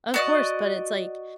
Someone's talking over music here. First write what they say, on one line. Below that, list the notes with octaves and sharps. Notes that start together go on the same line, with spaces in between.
Of course, but it's like,
F#4 D5 D#5